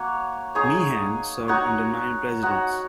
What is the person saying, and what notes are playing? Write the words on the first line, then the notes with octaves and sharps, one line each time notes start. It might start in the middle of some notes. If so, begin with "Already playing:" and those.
Meehan served under nine presidents.
Already playing: A#3 F#4 C#5
D#4 G#4 C#5
D#4 F#4 C#5
D#4 F#4 C#5